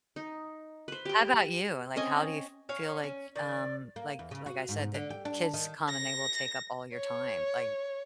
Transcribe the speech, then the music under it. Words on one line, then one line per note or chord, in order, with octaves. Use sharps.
How about you? Like, how do you feel like, um, like like I said, that kids come and they will take up all your time, like,
D#4
B4 C5
G4 G5
C4 C#4 D#5 G#5
C#4 C#5 F5
C#4
D#3 D5
A#3
E2
C#3
F#4
G#2
D3
G4
D4
D#3
A#6
C#5